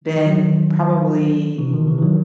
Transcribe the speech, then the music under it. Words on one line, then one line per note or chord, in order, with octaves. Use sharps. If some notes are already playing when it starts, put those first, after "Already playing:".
been probably
E3
D#3 F#3
C3 E3
B2 D#3
C3 E3
E3
D#3 F#3